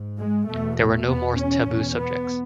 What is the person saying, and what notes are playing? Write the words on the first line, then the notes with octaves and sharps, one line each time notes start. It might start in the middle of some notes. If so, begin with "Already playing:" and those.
There were no more taboo subjects.
Already playing: G#2
G#3
E2 B2 A3
A3
E2 B2 B3
C#4
E2 B2
B3